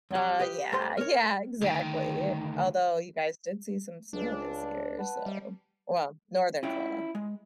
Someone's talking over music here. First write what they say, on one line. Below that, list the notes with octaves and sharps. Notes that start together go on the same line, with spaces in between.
Uh, yeah, yeah, exactly, although you guys did see some snow this year, so well, Northern Florida.
F2 G3
G4 B4 D#5
G2 G3 A3 C5 G5 C6
A#4 C#5
D2 D#3
C#2 D4
B4 F#5 A5
G3
C#4 E4 F4 G5
G#3